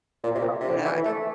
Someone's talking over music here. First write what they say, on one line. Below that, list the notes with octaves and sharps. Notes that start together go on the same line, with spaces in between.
no I don't
A#2
C3
A#2
C3
D3
E3
A3